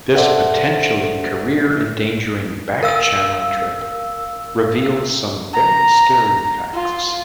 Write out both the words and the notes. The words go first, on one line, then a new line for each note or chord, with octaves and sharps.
This potentially career-endangering "back channel" trip reveals some very scary facts.
A4 C5 D5 E5 F#5
A#4 F5 E6
A#5
F4